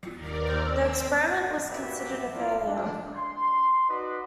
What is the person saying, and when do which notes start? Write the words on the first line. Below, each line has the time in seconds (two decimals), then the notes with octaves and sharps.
The experiment was considered a failure.
0.13 D#2 A#4 D5
0.65 C4 E6
1.69 A#3 F#4 G4 B4 E5
2.34 E4 F4 A#4 D5
2.67 D4
3.16 C6
3.89 D#4 F#4 B4 D5 D#5